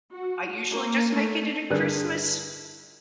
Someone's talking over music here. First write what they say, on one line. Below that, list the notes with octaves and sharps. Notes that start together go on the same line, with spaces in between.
I usually just make it it at Christmas.
F#4
A#3
A3
G2 D3 G#4 A#4 D5 F#6